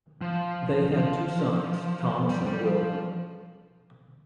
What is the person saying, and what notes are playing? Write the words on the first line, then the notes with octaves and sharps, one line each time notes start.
They had two sons, Thomas and William.
F3
F3
G3
G3
F3